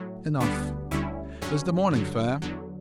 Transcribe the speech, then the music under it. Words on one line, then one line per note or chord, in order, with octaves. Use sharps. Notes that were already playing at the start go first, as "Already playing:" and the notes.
Enough!--Is the morning fair?'
Already playing: A2 F#3
D2 D3 G3 B3 D4
D2 D3 G3 C#4 E4
G2 D3 F#3 C#4
G2 D3 F#3
E2 D3 F#3